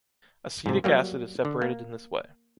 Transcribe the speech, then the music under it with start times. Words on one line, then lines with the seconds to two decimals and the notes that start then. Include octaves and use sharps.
Acetic acid is separated in this way.
0.66 G#2 C3
0.84 F#3 G3 A#3
1.45 D3
1.62 A#3